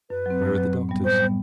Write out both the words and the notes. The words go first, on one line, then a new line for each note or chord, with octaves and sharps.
Where were the doctors?
F#2 B4
F#3 C4
F#2
F#3 C4
A2
G3 B3
A2 C5
G3 B3